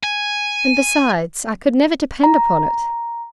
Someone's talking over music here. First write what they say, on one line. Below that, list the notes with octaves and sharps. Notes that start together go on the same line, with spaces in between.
And besides, I could never depend upon it.'
G#5
A#5